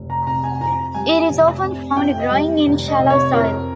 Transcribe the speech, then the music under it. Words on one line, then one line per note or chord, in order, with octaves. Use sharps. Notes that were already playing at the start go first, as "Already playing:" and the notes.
It is often found growing in shallow soils.
Already playing: F1
A#5
C3 A#5
G#5
F2 A#5
G3 G#5
F1
C3
F2 G5
D#5
G3
F1
D#5
C3
C#5
F2 A#4